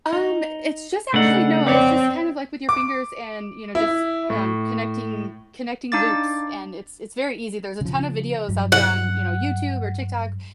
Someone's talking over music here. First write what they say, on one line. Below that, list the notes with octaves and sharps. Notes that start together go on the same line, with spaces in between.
Um, it's just actually No, it's just kind of, like, with your fingers and, you know, just you um, connecting connecting loops, and it's it's very easy, there's a ton of videos out there on, you know, YouTube or TikTok,
D#4
C#3 A3 D4 D#4 F#5
F2 C4 C#5 D5
D6
E4
A2
D4 D#4 F5 D6 A6
C#3 F3
G2 F#3
F#5